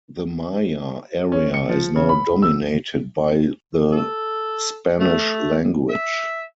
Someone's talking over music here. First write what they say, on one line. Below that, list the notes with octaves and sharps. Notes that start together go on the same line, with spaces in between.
The Maya area is now dominated by the Spanish language.
C#4
C#7
F3
C#3
B5
E6
A4
A3
E5